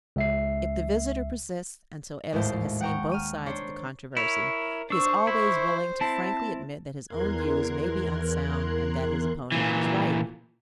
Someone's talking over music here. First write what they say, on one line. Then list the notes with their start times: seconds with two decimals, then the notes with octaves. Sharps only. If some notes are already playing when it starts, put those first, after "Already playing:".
If the visitor persists until Edison has seen both sides of the controversy, he is always willing to frankly admit that his own views may be unsound and that his opponent is right.
0.16 C#2 E5 C7
2.33 G#1 D#2 A2 G#3 A3 C5
2.81 F#5 G5 A#5 C#6
3.12 F6 D#7
3.46 D4 C5 C#5
4.17 E4 A#4 C#5
4.90 D4 C5 C#6 E6
5.27 E4
6.01 C4 E4 A5
7.06 E2 A#4 C6 F#6 G#6
9.52 A#2 E3